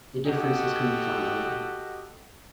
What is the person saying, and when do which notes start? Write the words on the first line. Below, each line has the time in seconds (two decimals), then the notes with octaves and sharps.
The differences can be found online.
0.25 F#4 G4 A4 D#5